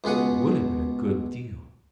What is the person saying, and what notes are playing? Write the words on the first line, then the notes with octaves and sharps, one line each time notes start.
It would have been a good deal.
C#2 B2 G#4 F#5 D#6